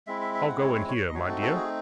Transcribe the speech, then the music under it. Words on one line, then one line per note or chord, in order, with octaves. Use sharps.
'I'll go in here, my dear.'
G#3 C4 E4 E5
E5
E5
F#5
C#5
C#5
C#5
D#5
A3 C4 D#4 F#4 C#5
A4
A4
G#4